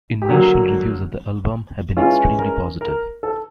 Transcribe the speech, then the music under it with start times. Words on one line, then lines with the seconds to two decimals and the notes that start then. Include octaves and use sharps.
Initial reviews of the album have been extremely positive.
0.22 G4
0.29 D3 F#3 A#3 F#4
1.97 E3 G#3 C#4 F4
2.39 A#4
2.81 A#4
3.23 A4